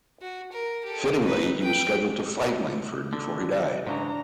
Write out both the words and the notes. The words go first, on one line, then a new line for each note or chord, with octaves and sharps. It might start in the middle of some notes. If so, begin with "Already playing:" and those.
Fittingly, he was scheduled to fight Langford before he died.
F#4
A#4
G4 A4
D#4 B4
B4 G5
D3
G#2 C#3 E3 D4 A#5